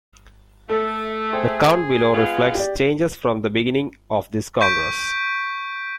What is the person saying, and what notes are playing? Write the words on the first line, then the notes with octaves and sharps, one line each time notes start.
The count below reflects changes from the beginning of this Congress.
A3 A4
G#4 C5 G5
G#3 B3 F4
G4 D5
C#6 G6 B6 D7